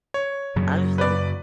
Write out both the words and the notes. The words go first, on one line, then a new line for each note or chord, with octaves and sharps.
I just don't
C#5
F#2 C#3 F#3
B4 D5